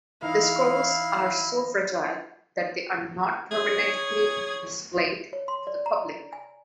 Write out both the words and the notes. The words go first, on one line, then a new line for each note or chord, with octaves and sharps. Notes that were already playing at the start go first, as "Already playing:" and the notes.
The scrolls are so fragile that they are not permanently displayed to the public.
E3 D#4 E4 F5
G#4 C#5
C#5
C6
D5
A#5
G#5